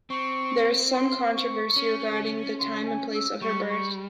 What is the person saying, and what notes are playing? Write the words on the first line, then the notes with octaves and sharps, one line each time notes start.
There is some controversy regarding the time and place of her birth.
C4 C#6
C6
C#6
C#4
C6
G#5
E6
G3 C#6
C#6